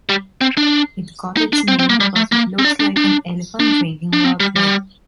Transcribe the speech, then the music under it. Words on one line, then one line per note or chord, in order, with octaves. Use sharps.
It got its name because it looks like an elephant drinking water.
G3
C4
D4
D#4
D4
C4
C4
A#3
G3
A3
A#3
C4
D4
D4
D4
D4
D4
C4
G3
G3